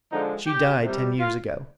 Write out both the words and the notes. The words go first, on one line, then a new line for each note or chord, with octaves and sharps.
She died ten years ago.
D3 F3 G#3 D#4
G4
C3 G3
F4